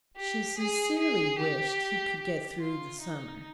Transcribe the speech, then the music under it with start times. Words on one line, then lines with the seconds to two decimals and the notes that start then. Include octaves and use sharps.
She sincerely wished he could get through the summer.
0.17 G4
0.58 G#4
0.99 G#4
1.39 G4
2.21 G4
2.61 F4
3.02 D#4